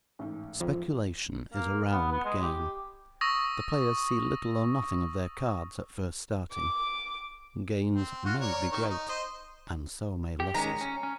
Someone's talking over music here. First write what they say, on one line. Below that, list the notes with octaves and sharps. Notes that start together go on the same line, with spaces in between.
Speculation is a round game; the players see little or nothing of their cards at first starting; gains MAY be great--and so may losses.
A1 G#2
F2
A#3
B3
B3
G#3
G4
C#6 D#6 E6 A6 A#6
D6
C4
F4 F#4
A#4 C#5 D5
D#3 C#6
D#4
C5 D#5
G4
D#3 G#3 C#4 A#5
C#4
C#4